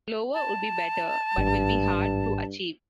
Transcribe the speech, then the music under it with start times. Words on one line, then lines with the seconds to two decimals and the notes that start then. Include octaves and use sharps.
Lower would be better but will be hard to achieve.
0.34 A5
1.38 G#1 G2